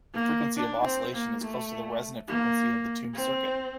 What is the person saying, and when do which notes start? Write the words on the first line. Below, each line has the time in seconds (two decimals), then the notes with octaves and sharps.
The frequency of oscillation is close to the resonant frequency of the tuned circuit.
0.14 A#3
0.56 D4
0.84 C4
1.14 A#3
1.42 A3
2.28 A#3
3.14 C4